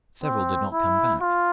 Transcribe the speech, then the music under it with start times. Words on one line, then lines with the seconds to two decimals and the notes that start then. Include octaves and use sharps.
Several did not come back....
0.24 C4
0.72 E4
1.21 F4